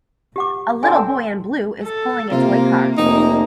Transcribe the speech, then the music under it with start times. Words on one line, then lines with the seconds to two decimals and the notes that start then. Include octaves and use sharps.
A little boy in blue is pulling a toy car.
0.36 G4 F#5 D6
0.83 D3 C4 G#5
1.84 A4
2.32 C3 A#3 F4
2.98 F1 A#3 D#4